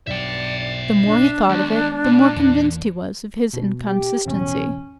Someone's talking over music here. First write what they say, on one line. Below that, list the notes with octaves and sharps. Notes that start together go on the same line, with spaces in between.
The more he thought of it the more convinced he was of his inconsistency.
B1 G2 B2 D5 E5 G5
D4
D#2 G#3 B3
A#2
E2 E3 A#3
B2
G4
A1 E2 B2 C#4